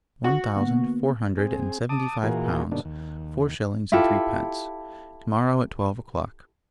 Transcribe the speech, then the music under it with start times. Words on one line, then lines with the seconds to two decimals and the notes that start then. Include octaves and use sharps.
One thousand, four hundred and seventy-five pounds, four shillings, and threepence, tomorrow at twelve o'clock.
0.24 F#4
0.56 D3 A#3 B3
1.38 C4 G#4
1.89 A5 D6 D#6
2.23 A#2 E3 F4 F#4 G#4 A#4
2.71 G2 B2 D3 A#3 D4 D#4
2.85 D#2
3.92 E4 F4 G4 A4